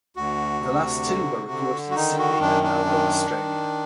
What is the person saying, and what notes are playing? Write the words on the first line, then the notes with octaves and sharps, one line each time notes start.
The last two were recorded in Sydney and Melbourne, Australia.
D2 F#4
C3
D3
D3
F#4
D#3 D#4
F#4
F#2 D4
D4
D#3
D#3